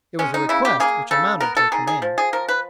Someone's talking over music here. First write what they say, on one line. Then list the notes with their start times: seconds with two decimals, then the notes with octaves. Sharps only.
It was a request which amounted to a command.
0.19 G#3 C#4
0.34 D#4
0.49 C#3 E4
0.65 G4
0.80 A#3 G#4
1.11 C#3 A4
1.40 B3 A#4
1.57 A4
1.72 D#3 G#4
1.87 G#4
2.02 F3
2.18 G#4
2.33 F3 A#4
2.49 B4